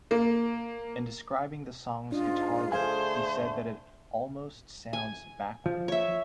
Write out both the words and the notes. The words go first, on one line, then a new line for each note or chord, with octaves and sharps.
In describing the song's guitar riff he said that it "almost sounds backward".
A#3
G#2 G#3 D4 F4 D#5
D3 A3 G#4 C5 F5 G#5
G#5
F3
C#5 E5